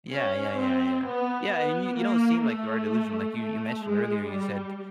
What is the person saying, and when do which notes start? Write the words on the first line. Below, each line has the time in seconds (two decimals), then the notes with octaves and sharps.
Yeah. Yeah, yeah, yeah. Yeah, and you you don't seem like you are delusional, like, you you mentioned earlier, you said,
0.12 C#4
0.58 C4
1.05 B3
1.52 B3
1.97 A#3
2.44 A3
3.38 A3
3.84 G#3
4.31 G3